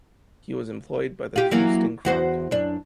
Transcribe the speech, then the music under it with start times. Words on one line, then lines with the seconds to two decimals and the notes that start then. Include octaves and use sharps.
He was employed by the "Houston Chronicle".
1.36 F4 G4
1.51 E3 F#3 A#3
2.05 E2 F#4 C5
2.51 F#2 D4